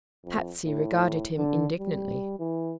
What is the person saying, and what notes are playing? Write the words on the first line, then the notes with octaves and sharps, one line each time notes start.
Patsy regarded him indignantly.
F2
A2
D3
G3
E3